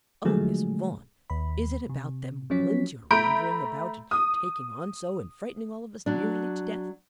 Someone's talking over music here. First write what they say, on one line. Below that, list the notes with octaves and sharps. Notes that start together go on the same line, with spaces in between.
"Oh, Miss Vaughan, is it about them willains you are wandering about and taking on so, and frightening all of us nearly to death?"
D3 F3 F#3 G#3 A3 G#4
D#2 B5
C3
F3 F#3 C#4 C#5 B6
A3 A#5 B5 G6 D7
D#6
F#3 D4